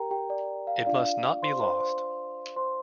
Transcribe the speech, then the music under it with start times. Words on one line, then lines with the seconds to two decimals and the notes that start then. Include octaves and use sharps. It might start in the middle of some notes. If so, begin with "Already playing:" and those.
It must not be lost.
Already playing: G4 A#4 G5 A#5
0.11 G4 G5
0.30 D5
0.67 F5
0.86 D4 F4 D5 F5
1.05 F5
1.43 C5 C6
1.62 C5 C6
1.80 C5 C6
2.56 C5 C6